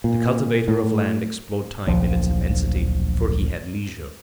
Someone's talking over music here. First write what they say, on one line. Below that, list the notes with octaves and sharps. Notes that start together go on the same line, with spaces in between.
The cultivator of land explored time in its immensity, for he had leisure.
A#2
A2
D1 A#1 F3